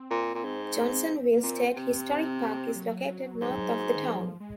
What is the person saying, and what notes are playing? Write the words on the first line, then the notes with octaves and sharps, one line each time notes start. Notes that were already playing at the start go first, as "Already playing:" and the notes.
Johnsonville State Historic Park is located north of the town.
Already playing: C4
A#2
A#2
G#2
A#3
A#2 C4
C3
C4
C4
F#3
G#2
D#3
F3
G#3